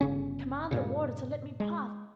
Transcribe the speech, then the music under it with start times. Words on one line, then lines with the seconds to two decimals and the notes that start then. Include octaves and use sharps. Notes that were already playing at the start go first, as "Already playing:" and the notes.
Command the Warder to let me pass.
0.01 G1 C#3 C#4
0.71 G2 A#2 C#3
1.60 G#3